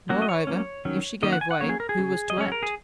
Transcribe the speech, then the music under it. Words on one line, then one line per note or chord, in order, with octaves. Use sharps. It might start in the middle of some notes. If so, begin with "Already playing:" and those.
Moreover, if she gave way, who was to act?
F#3 A#3 C#4 F#4
D#5
C#5
F#3 A#3 C#4
D#3 F#3 C#4
D#3 A#3 C#4 D#5
F#5
G#5
F#5
F#3 A#3 C#4 C#5
G#4
A#4
G#4
C#3 G#3 C#4
D#5
F#3 C#4 C#5
A#4
G#4